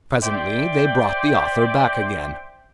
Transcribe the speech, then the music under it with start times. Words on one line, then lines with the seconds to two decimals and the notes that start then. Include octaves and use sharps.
Presently they brought the author back again.
0.23 C5 D5 E5 G5